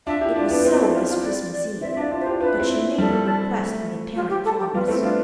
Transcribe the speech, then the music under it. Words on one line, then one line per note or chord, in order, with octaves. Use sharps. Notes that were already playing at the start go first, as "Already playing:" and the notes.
It was so this Christmas Eve; but she made her request with apparent calmness.
D4 F4 E5
E4 G4
D4 F4 D5
B3 D4
C4 E4 C5
A4
F4
F4
D5
D5
C4 E4 E5
E5
D4 F4
D5
D4 F4
C5
E4 G4
D4 F4 B4
C4 E4
G3 A4
A3
F4
G4
A4
G4
G3 B3 F4
A3 C4 E4
B3 D4 F4